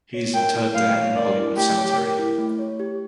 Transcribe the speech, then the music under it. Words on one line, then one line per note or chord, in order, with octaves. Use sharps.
He is interred there in the Hollywood Cemetery.
C#5
A#4 G5
E4
A3 F5
C#5
A#4 D5
E4
A3 G4
C#5
A#4
E4
A3
C#5
G4